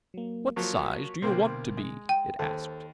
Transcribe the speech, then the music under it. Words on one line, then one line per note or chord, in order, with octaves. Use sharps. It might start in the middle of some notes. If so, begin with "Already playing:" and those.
'What size do you want to be?' it asked.
F#3 A#3
F3 F#3 A#3 C#6 B6
C2 B2 D3 A#3 C4
G#3
G5
D#2 A4 C5 A5